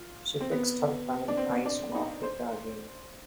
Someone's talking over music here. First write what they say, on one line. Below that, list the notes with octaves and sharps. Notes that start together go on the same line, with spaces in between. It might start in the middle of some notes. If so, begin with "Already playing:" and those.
She fixed her fine eyes on Africa again.
Already playing: F4
C4
B3
D4
C4
D4
D#4
C5